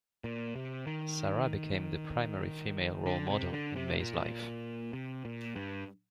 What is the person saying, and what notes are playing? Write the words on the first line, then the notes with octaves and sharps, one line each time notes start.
Sarah became the primary female role model in Mays' life.
A#2
C3
D#3
D3
C3
D3
C3
A#2
C3
A#2
G2